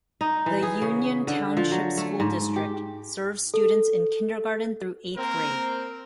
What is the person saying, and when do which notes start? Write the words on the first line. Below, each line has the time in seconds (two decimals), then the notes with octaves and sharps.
The Union Township School District serves students in kindergarten through eighth grade.
0.21 D#4
0.46 E3
0.63 G#4
0.82 C#3
1.27 D3
1.57 F3
1.71 F#3
1.97 A3
2.20 G#2
2.56 G4
3.54 A4
5.17 A#3 C4 A#4